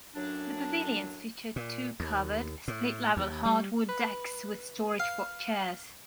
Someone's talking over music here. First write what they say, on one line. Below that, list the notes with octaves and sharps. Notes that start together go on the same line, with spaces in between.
The pavilions feature two covered, split-level, hardwood decks with storage for chairs.
F#2 A2 F#3 D4
A#2
D#2
A2
D#2
G3
B4
F5